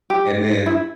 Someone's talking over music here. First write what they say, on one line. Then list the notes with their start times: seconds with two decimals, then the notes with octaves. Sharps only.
and then,
0.10 G4
0.66 E4